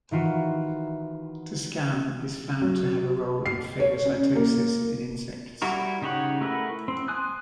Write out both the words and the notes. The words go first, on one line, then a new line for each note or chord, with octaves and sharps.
Dscam is found to have a role in phagocytosis in insects.
D#3 E3 F4 F#4
F#3
C7
C#5
C#4
A#3
G3 E4 F#4 A#4
C#3 D#4 G4 C#5 F#5
A3 E4 A#4 B4 F#5
C4
G#5 D#6 F#6